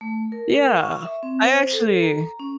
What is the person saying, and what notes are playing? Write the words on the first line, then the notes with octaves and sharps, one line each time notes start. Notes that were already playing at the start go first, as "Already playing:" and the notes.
Yeah. I actually
A3
A#4
C#6
E5
C4
C5
A4
A#5
C#4